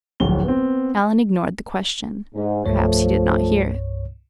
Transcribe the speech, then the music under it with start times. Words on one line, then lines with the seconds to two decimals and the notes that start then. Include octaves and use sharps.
Alan ignored the question--perhaps he did not hear it.
0.20 D1 A#1 A2 G7
0.44 B3 C4
2.34 G#2
2.66 C2 G2 F3 A3 C#5